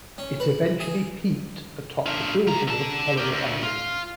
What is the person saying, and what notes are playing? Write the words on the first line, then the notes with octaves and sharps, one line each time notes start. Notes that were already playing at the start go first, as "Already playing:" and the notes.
It eventually peaked atop the "Billboard" Holiday Albums.
C#4
B4
G#4
D4 F4
E3 A#5
D3 A5
G4 A#4
D2
F4